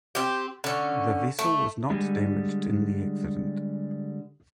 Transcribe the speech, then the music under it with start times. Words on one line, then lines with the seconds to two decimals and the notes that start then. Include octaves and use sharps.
The vessel was not damaged in the accident.
0.15 C4 G4
0.64 D3 C#4
1.39 A3
1.90 D3 G3 G#3